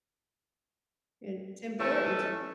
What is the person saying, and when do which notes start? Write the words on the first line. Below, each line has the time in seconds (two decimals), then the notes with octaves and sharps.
It's important
1.79 C3 E3 A3 C#4 A4